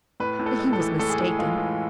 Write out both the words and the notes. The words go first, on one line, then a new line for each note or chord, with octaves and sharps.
But he was mistaken.
A2 B4
A2
A4
G#3
A4
E3
A2 A4
G#4
A2 A4
G#3 F4
E3